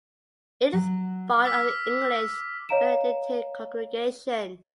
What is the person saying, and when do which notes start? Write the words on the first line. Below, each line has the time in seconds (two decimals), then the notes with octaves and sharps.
It is part of the English Benedictine Congregation.
0.73 F#3
1.45 D6 E6 F6 B6
2.69 C#5 D#5 F5 A#5 D7 E7